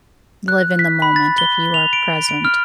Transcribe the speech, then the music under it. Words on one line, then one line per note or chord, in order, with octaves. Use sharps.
live in the moment, if you are present,
F#6
B6
B5
A6
G7
F7
D7
D7
F6